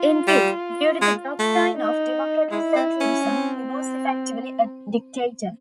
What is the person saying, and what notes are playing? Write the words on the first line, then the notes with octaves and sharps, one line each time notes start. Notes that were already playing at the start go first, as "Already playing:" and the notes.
Indeed, due to the doctrine of democratic centralism, he was effectively a dictator.
Already playing: F4
G3
G#3
A3
D#4
G#3 E4
C4
C#4
C4